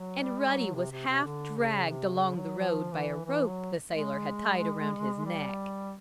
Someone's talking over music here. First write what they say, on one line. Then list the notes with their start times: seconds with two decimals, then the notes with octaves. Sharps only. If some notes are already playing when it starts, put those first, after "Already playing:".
And Ruddy was half dragged along the road by a rope the sailor had tied around his neck.
Already playing: F#3
0.24 G3
0.38 G#3
0.48 G3
0.58 F#3
0.74 C3
0.91 C3
1.08 C3
1.24 D3
1.58 C#3
1.91 C3
2.14 C#3
2.36 F#3
2.59 F3
2.91 E3
3.25 E3
3.47 F#3
3.92 G#3
5.26 G3